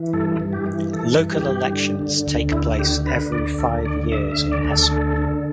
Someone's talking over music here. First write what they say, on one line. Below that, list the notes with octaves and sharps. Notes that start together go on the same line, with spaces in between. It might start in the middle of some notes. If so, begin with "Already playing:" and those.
Local elections take place every five years in Hesse.
Already playing: E3
G2 A4
G2
G4
E3
E3 A4
G2
G4
G2
D3
D3
D2
D2 E4
D3 G4
D3 B4
D2 D5
D2 A4
D3 D5
D3 E5
E5
D2
D5
D2
A4
D3
D3